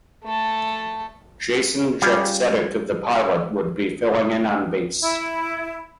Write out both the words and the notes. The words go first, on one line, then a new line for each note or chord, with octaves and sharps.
Jason Jaksetic of The Pilot would be filling in on bass.
A3 A4
G3 C#4 F4 G#4
E4